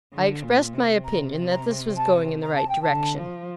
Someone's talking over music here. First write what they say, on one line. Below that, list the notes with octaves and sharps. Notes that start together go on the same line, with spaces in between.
I expressed my opinion that this was going in the right direction.
D3
A#2
C3
A#5
A#5
A5
A#5
A5
G5
A5
D3
F3